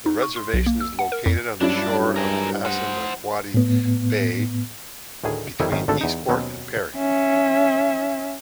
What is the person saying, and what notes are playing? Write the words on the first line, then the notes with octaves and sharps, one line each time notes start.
The reservation is located on the shore of Passamaquoddy Bay between Eastport and Perry.
D#4
C#6
C6
B1
A#3
E6
F#5
A#4
F2
G2 F#3 C#4 D4 E4
G#4 A#4
C5 F#5
A2 B3
D2 A2 D#3 G#4
F2 D#3 G3 E4 G#5
G#1 F#2 D#3 C#4
G#1 D3 A3 D4 A4
E2 D#4
D#2 B2 F#3 C4 C#4
C#4 E5